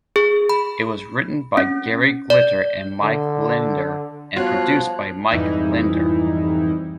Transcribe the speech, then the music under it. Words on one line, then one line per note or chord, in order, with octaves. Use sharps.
It was written by Gary Glitter and Mike Leander and produced by Mike Leander.
G#4
B5
C#4
D5
D3
F3 G3 B3 F4 F#4 C#5 F#6
F2 G#2 E3 G3 D#4 E4